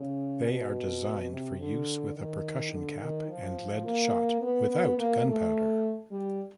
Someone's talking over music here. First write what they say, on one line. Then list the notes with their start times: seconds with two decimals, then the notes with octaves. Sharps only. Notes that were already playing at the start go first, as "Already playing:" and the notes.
They are designed for use with a percussion cap and lead shot, without gunpowder.
Already playing: C#3
0.46 B2
1.30 C3
1.59 D3
2.15 D#3
2.72 D3
3.00 D#3
3.28 F3
3.85 A#3
4.41 B3
4.70 B3
4.98 A#3
5.27 A3
6.11 G3